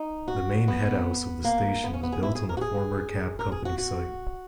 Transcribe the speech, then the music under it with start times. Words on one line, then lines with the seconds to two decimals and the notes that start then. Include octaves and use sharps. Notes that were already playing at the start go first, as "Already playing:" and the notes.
The main headhouse of the station was built on the former cab company site.
Already playing: D#4
0.28 F#4
0.68 B3
1.44 A#3
1.84 B3
1.94 C#4
2.03 B3
2.12 G#4
2.23 E4
2.35 G#4
2.49 A#4
2.57 F#4
2.61 G#4
3.39 A#4
3.52 G#4
3.65 F#4
3.78 F#4